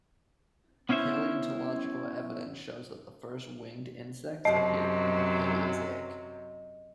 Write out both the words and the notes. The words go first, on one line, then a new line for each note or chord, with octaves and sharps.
Paleontological evidence shows that the first winged insects appeared in the Paleozoic.
B3 C#4 E4 C5 E5
F#2 C3 F#3 D#5